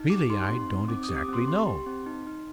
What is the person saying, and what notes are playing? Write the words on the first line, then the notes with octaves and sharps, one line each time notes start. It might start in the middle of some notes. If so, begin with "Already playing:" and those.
"Really, I don't exactly know."
Already playing: D#4
G4 D6
D#4 C6
C4 C6
D#4
C4 D6
D#6
G4
D6
C4
C6
G4 C6
G4
C4
D#4
D#4